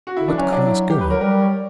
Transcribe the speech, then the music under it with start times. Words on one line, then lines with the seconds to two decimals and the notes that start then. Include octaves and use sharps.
What cross girl!
0.07 F#4
0.17 D3 E4
0.28 E3 D4
0.37 F#3 C#4
0.52 D4
0.65 E4
0.90 G4
1.01 B4
1.10 F#3 A#4
1.21 G3 A#4
1.42 C#5